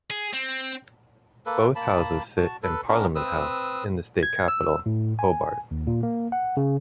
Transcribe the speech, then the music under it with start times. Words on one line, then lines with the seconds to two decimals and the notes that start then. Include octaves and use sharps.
Both houses sit in Parliament House in the state capital, Hobart.
0.10 G#4
0.33 C4
1.46 A#3 A4 B4
1.76 A#3 A5 B5
2.37 F#4 A5
2.63 A4 B4
2.88 B3 C#4 D4 A#4
3.15 C4 B4 D#6 E6
4.23 G#6
4.48 E6
4.86 A2
5.19 G#5
5.71 D#2
5.87 A#2
6.03 A#3
6.32 F#5
6.57 C#3